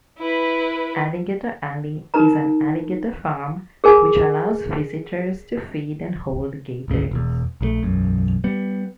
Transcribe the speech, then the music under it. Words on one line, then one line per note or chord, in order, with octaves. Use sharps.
Alligator Alley is an alligator farm, which allows visitors to feed and hold gators.
E4 B4
D#4 A#4 B4 A#5
G#4 A#4 G#5
G#1 D2 C#3
E1 E2
A#1 C#3 A3
E1 B1 F#2
G3 B3